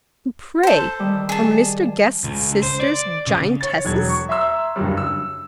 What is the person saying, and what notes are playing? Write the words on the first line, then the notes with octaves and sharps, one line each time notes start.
"Pray, are Mr. Guest's sisters giantesses?"
A4 C5
D#3 G3
G#4 A5
C#2
C5
D5
C#3
C#5 A6
E1 F#3 G#6
C#6
E5 A#5 C6 E6
F#1 G2 F#3 G3
E6